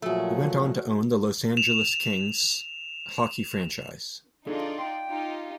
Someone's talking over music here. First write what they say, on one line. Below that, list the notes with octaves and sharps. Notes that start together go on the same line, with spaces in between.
He went on to own the Los Angeles Kings hockey franchise.
A#2 F3 F#3 A3 F#4 G#4
E7 F7
D4 D#4 F4 G#4 A4 D5
G5 C6
D#4 F4 G4